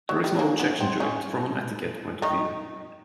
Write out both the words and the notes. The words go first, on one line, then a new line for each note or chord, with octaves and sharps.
There's no objection to it from an etiquette point of view.
F#3
G3
A#3
B3
C4
C#3 C#4
D#3 D#4